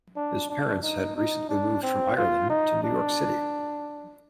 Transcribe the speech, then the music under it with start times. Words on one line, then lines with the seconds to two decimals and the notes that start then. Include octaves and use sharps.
His parents had recently moved from Ireland to New York City.
0.16 D4
0.50 D4
0.83 D#4
1.16 D#4
1.49 D4
1.83 C4
2.17 F4
2.50 D#4
2.83 D4